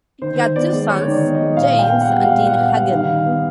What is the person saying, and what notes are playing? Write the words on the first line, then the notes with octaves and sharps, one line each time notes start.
They had two sons, James and Deane Hagen.
D#3 C5
D#3
B3 D5
G#3
D#3 C#5
D#3 D5
B3
D#5
G#3
A#2 F5
A#2
G5
B3
F#5
G3
A#2 F5
A#2
F#5
B3
F5
G3
D#3 F5
D#3
B3